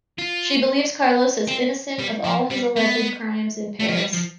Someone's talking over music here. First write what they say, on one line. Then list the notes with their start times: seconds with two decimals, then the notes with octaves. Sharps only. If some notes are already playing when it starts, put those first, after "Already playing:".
She believes Carlos is innocent of all his alleged crimes in Paris.
0.18 F4
1.48 C4
1.99 G3
2.25 F3
2.51 G3
2.77 B3
3.80 A3
3.89 F3
3.98 G3
4.14 F3